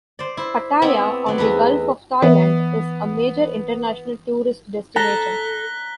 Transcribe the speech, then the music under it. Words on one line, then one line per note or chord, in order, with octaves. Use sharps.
Pattaya, on the Gulf of Thailand, is a major international tourist destination.
C5 D5
E4 C5
B3 C4 E4 D5 E5 G#5
F#3 D5
E2 A3 D#4 B4
E3 B3 E5
A4 A#5 F#6 B6 G7